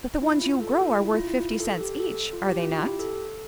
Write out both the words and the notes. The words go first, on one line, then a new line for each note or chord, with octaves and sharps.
"But the ones you grow are worth fifty cents each, are they not?"
E4
F4
A4
F4
E4
F4
E4
F4
A4
G4
A4
F4
G4
F4
E4
G4
A4